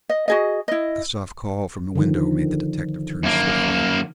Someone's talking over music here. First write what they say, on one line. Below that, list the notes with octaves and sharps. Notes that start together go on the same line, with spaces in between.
A soft call from the window made the detective turn swiftly.
D#5
F#4 G#4 D#5
E4 D#5
D3 D#3 F3
F#2 A#3